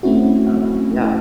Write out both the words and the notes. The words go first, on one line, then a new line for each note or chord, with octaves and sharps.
uh, yeah.
A3 C4 C#4 E4 F#4